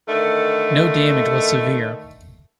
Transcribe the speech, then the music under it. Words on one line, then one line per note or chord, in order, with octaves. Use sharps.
No damage was severe.
D3 D#3 A3